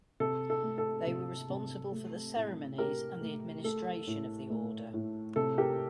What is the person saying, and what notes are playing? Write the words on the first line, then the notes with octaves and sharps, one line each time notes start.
They were responsible for the ceremonies and the administration of the order.
C3 A4
A4
A3
A4
C3
C3
A3
A2
A3 G4 A#4
A3
A3 A4
A2
A3
A2
C3 A4
G4 A#4